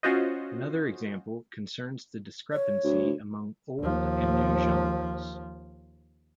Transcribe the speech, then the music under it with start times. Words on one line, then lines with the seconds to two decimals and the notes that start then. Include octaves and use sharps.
Another example concerns the discrepancy among "old" and "new" genres.
0.03 C#4 F4 F#4 C5 D#5
2.53 C#5
2.84 D2
3.80 D#2 F3